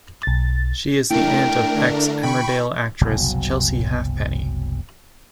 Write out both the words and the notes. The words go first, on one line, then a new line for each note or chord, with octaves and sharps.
She is the aunt of ex-"Emmerdale" actress Chelsea Halfpenny.
B1 A6
A3 D4 E4 A#4 G5
D3
G5 B5 C#6
F#1 C2 B2 F#3